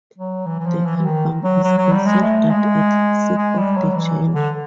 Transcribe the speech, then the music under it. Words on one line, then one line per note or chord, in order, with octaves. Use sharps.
The album is considered a classic of the genre.
F#3
E3
E3
F3
E3
E3
D#3
F#3
F#3
F#3
G3
G#3
A3
G#3
G#3
G3
F#3
E3
D3